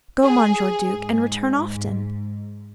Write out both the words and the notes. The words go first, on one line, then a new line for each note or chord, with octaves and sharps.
Go, Monsieur Duke, and return often.
G#4
G#2